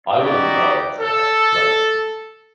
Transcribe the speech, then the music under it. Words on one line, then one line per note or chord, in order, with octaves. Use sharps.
I would love that, like
D#4 E4 F#4 G4 D5
A4